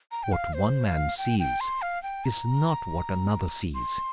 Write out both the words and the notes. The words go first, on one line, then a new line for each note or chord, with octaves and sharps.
What one man sees is not what another sees.
A#5
G5
F5
C5
F5
G5
G5
C6
F5
G5
A#5
C6